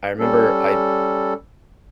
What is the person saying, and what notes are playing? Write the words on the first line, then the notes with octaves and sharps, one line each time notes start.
I remember I
G3 C#4 A4